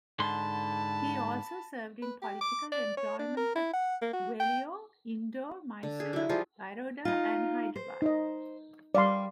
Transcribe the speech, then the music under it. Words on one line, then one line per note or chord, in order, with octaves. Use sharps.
He also served in political employment at Gwalior, Indore, Mysore, Baroda and Hyderabad.
G#2 D3 A5 B5 C6
B4
G4
D6
D5
C#5
D4
A#4
E4
F#5
A#3
F#4
G5
D3
G#4
F#3 E4
F3 G3 F4 G#4
D#4 F4
C5
D#4 D#5
G3 D5 F5 C6